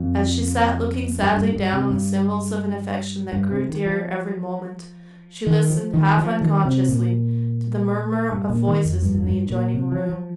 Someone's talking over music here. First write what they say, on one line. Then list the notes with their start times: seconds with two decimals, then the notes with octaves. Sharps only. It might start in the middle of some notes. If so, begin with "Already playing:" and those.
As she sat looking sadly down on the symbols of an affection that grew dearer every moment, she listened half unconsciously to the murmur of voices in the adjoining room.
Already playing: F2
1.19 G2
1.37 G2
1.55 G2
1.73 C3
1.90 G2
3.33 G2
3.51 C3
3.69 D#3
3.86 F3
5.47 D#3
5.70 F3
5.94 D#3
6.17 F3
6.41 D#3
6.65 C3
6.89 A#2
8.31 G2
8.49 A#2
8.67 D#3
8.85 F2
9.02 G2
9.15 F2
9.26 G2
9.50 A#2
9.74 C3
9.92 F3
10.09 F3